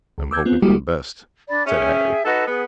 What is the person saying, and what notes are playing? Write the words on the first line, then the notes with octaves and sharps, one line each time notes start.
"I'm hoping for the best," said Harry.
C#2
D6 E6 G6 G#6
B3 C4 F4
G3 G#3 A#3 E4 F#4 G4
D4 D5 B5
C#4 G#4 E5 G5
D#4 F#4 A4 B4 D#5
B3 G#4